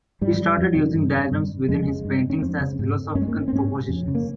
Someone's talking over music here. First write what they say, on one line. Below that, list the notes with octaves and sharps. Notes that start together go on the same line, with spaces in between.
He started using diagrams within his paintings as philosophical propositions.
G#2 G3
F2
C3
G2
G2
F2 G#3
C#3
G2
C#4
F2 C4
C#3
G#2
G2 C#4
G#3
A#3
C#4
C4
G#2 C#4
F2
C#3
A#3